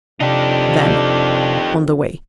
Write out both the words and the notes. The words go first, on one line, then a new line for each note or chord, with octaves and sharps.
Then, on the way.
F2 C3 D4 D#4 G4